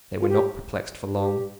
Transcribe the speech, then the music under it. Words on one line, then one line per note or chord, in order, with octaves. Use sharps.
They were not perplexed for long.
F4
G4
G4